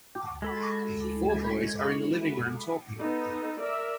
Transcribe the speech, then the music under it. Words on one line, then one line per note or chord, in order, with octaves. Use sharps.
Four boys are in the living room talking.
G#3 A4 B5
B3 D#4 A4
A#4 D5 E5